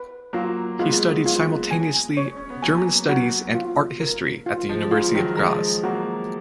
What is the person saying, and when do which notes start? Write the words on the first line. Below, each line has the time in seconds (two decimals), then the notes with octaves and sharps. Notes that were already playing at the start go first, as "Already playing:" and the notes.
He studied simultaneously German studies and art history at the University of Graz.
Already playing: B4
0.33 F#3 A#3 F4
0.79 G#3 B3 F4
1.26 F4
1.71 G#5
2.17 C#5
2.37 C#4
2.50 B3
2.62 F#3 A#3 G#5
3.09 F#4
3.55 F4
4.00 A#4
4.46 F4
4.69 F3 G#3
4.91 C#3 F3 F4
5.15 D#3 F#3
5.37 F3 G#3 A#5
5.84 F#3 A#3 F#4